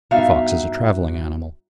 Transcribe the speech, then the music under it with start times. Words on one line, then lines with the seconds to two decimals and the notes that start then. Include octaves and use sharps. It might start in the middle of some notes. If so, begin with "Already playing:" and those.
The fox is a travelling animal.
0.11 G2 B3 D#4 F#4 E5 F5